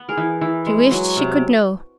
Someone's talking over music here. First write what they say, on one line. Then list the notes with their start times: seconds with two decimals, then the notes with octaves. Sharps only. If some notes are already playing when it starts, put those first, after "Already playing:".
She wished she could know.
Already playing: B3
0.09 G#4 A#4
0.17 E3
0.41 E3
0.66 G#3
0.91 F#3
1.17 C3